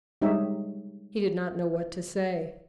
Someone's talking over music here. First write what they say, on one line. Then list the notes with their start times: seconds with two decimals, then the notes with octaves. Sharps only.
He did not know what to say.
0.22 G3 G#3 D#4 G4 C#5 E5